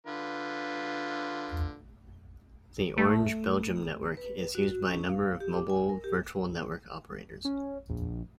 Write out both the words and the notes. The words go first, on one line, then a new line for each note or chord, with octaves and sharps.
The Orange Belgium network is used by a number of mobile virtual network operators.
D3 F4 B4
A3
B4
F#4
C#4
F5
G4
D6
G#5
A#4
G4
C#4
A#1